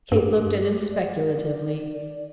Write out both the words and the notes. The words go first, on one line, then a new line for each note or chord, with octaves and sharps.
Kate looked at him speculatively.
G2 G4
D5